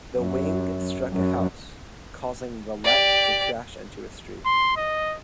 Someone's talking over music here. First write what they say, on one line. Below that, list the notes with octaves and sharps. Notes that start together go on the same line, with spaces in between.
The wing struck a house, causing the Let to crash into a street.
F#2
F#2
G4 D5
C6
D#5